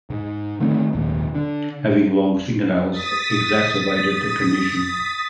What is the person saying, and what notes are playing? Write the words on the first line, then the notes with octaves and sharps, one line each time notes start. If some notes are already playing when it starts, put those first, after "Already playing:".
Having long fingernails exacerbated the condition.
G#2
D3 D#3 A3 C4
D#1 G#1 D#2
D3
D#6 A6 B6